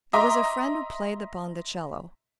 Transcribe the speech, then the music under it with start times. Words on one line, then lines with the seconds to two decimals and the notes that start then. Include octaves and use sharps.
There was a friend who played upon the 'cello.
0.13 D#5 E5 A#5 C6 D6